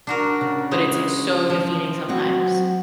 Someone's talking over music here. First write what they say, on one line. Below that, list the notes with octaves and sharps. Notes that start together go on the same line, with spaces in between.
but it's, like, so defeating sometimes
D4 F#4 A#4
C#3
G#3
F3
F#3 C4 F#4